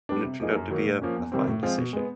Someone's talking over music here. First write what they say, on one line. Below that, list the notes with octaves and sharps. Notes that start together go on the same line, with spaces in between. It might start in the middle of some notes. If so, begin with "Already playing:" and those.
and it turned out to be a a fine decision,
G3 B3 D4
C3
F3 A#3 D#4 G#4
F#2
D#3 F#3 A#3
A2
F3 A#3 C#4
E2
C3 D#3 G3 C4
A2
F3 G#3 C4 F4
B2
G#3 B3